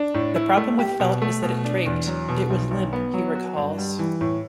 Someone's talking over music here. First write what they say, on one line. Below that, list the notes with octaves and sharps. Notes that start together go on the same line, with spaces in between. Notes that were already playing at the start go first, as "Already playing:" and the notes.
"The problem with felt is that it draped, it was limp," he recalls.
Already playing: D4
A2
E4
A3
G4
B2
A3
B2
D4
E2
F#3
B2
B1
B1
B3
F#3
F#4
G2
G3
E3
A2